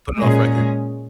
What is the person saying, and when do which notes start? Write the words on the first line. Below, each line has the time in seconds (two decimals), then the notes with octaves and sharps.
Put it off record."
0.17 A#2 G#3 C#4 G#4